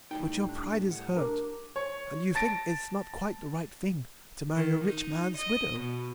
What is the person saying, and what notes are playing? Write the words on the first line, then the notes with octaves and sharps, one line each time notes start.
But your pride is hurt, and you think it's not quite the right thing to marry a rich man's widow.
A2 G3 D#4 G5
D4
F#5
D4 A#4 D6
C#5
A5 A6 A#6 D7
D#3
D#4
D#5
B2